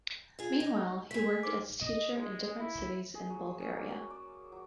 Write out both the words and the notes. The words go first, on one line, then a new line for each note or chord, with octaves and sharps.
Meanwhile, he worked as teacher in different cities in Bulgaria.
F4 G#4
D#4
A3 G#4 B6
D#4 C5 D6
D#5
G#3
E4
G#4
F#3
C#4
A#3
F#3
D5
F#3